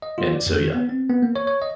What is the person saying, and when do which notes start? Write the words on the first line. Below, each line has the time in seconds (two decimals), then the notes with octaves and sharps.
and so, yeah.
0.02 D#5
0.18 F4
0.33 D5
0.46 F2
0.59 D#3
0.74 B3
0.89 C4
1.10 B3
1.22 A#3
1.36 C#5
1.47 C#5
1.62 D#5